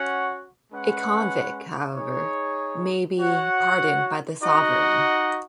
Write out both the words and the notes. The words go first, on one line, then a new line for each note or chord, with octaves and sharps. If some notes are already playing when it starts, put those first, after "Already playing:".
A convict, however, may be pardoned by the Sovereign.
Already playing: C#4 F#4 C#5 F#5
G#3 C#4 B4 F#5
D#4 G#4 C#5
F#4 C#5 F#5
D#4 F#4 D#5 F#5